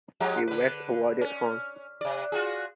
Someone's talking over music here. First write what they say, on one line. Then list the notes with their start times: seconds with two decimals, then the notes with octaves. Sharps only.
He was awarded Hon.
0.20 F3 G#3 G4
0.48 D3 B4
1.21 C#4
2.01 C3 D5
2.32 F4 F#4 G#4